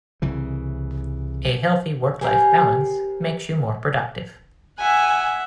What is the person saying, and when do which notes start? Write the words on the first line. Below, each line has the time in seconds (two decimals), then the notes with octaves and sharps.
A healthy work life balance makes you more productive.
0.22 C2 C#3 E3
2.21 G4 A#4 C5 G#5
4.78 E5 F#5 G#5